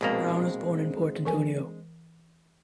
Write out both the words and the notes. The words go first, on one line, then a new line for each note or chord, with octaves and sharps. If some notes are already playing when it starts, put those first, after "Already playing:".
Brown was born in Port Antonio.
A#1 B2 G#3 A#3 C4 D4
E3 A#4 G#5